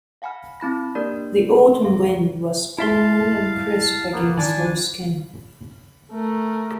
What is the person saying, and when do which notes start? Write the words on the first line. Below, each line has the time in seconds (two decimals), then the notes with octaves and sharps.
The autumn wind was cool and crisp against her skin.
0.22 F5 F#5 G#5 B5 F6
0.60 C4 E4 B5 A#6
0.95 A#3 D4 G4 A#4 D5
1.67 C6
1.85 F5
2.79 E4 E5 F5 A5 C6
4.12 A#3 B3
4.38 D#3 E3 D4 G#5 A5
6.12 A3 A#4